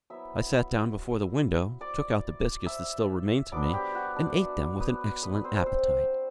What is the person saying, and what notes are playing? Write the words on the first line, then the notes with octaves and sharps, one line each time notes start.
I sat down before the window, took out the biscuits that still remained to me, and ate them with an excellent appetite.
F#3 B3 E4 E5 E6
D5 D6
E5 E6
F#3 B3 D4 D5 D6
G4 G5
F#4 F#5
D4 D5
B3 B4
B3 B4
C4 C5
C4 C5